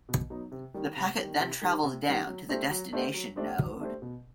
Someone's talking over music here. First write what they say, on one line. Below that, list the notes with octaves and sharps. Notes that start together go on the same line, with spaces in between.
The packet then travels down to the destination node.
B2
F#3 B3 D#4
C3
D#3 G3
C3
D#3 G3
C3
D#3 G3
C3
D#3 G3
F#3
A3 D4 G4 C5
F#3
A3 D4 G4 C5
F#3
A3 D4 G4 C5
F#3
A3 D4 G4 C5
B2